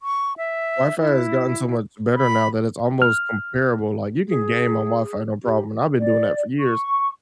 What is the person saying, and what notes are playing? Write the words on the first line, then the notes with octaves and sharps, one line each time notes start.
Wi-Fi has gotten so much better now that it's almost comparable like, you can game on Wi-Fi, no problem, and I've been doing that for years.
C#6
E5
E4
B5
F6
G#4
G4
D5
C#6